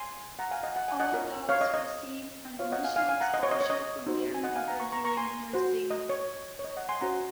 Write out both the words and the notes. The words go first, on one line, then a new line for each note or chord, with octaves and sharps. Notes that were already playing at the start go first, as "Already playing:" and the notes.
All dogs receive an initial exposure from their mother during nursing.
Already playing: G#5 C6
F#5 A#5
F5 G#5
D#5 F#5
F#5
G#5
D#5 F#5
F4 A#4 C#5
C#5 F5
D#5
D#5
F4 C5 C#5 F5
D#5 F#5
F5 G#5
F5 G#5
F5 G#5
F#5 A#5
D#5
C#5
D#5
C#5
D#5
D#4 F#4 C5
G#5
D#5 F#5
F5 G#5
F#5 A#5
A#5 C#6
A#5 C#6
A#5 C#6
G#5 C6
F#4 C5
D#5
C#5
C#5
D#5
D#5 F#5
G#5 C6
C#4 F#4 C5 F#5 A#5